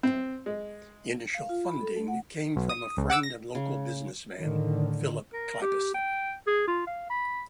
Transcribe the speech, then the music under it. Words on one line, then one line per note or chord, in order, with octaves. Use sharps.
Initial funding came from a friend and local business man, Philip Clappison.
C4
G#3
F5
F4
B5
A4
A3
F#5
B1
D#6
C#2
F#5 D6 E6
A#6
C#3
A2 D3 D#3
A#4
G4
G5
G#4
F4
F5
B5